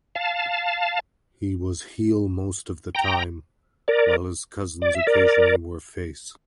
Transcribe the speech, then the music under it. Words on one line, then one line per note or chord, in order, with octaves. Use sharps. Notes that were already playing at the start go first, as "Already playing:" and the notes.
He was heel most of the time, while his cousins occasionally were face.
F5 A5
G5 A#5
A#4 D5
D5
E5
A#4 D5